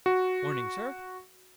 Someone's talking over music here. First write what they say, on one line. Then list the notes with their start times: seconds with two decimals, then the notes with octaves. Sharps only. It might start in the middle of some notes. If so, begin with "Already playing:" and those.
'Morning, sir!
0.06 F#4